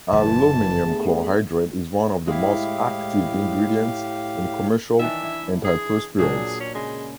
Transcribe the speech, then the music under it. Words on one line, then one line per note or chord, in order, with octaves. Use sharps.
Aluminium chlorohydrate is one of the most common active ingredients in commercial antiperspirants.
F#1 E3 A5
G2 A3 B3 G#4
A2 G#3 E4 G4 F5
D#3 E3 D4 E5
E4
G#4
A#2 F#3 D4 G#4
C#4
C#3 G#3